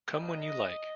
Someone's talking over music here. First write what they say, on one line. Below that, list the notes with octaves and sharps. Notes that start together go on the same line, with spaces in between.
Come when you like.
G3 A#3 D4 D#5